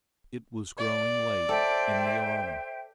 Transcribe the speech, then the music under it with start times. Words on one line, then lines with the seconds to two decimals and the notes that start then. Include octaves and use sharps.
It was growing late in the autumn.
0.78 D5
1.49 A4 C5 E5 G5